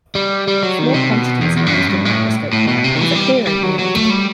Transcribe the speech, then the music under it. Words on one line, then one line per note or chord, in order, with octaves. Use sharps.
Small quantities are used in microscope work as a clearing oil.
G3
G3
F#3
D#3
C3
B2
E2
E2
G2
F#2
G2
A2
A2
B2
C3
D#3
E3
G3
G3
F#3
F#3
A3
G3